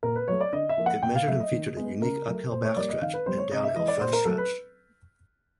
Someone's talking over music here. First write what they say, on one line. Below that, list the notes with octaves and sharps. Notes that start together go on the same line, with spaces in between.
It measured and featured a unique uphill backstretch and downhill frontstretch.
A#2 A#4
B4
F#3 A3 C#5
D5
D3 D#5
E5
F3 A#3
F#5
A#2 G5
F5
F#3 A3 E5
D#5
D#3
G#3 B3
C#3 A#4
F#3 A3
A#2 C5
C#5
G3 A#3 D5
D#5
D#3 F5
B4
G3 B3 C5
C#5
C3 D#5
E5
E3 G#3 D#5
D5
A#2 C5
A#4
F#3 A3 A4
B4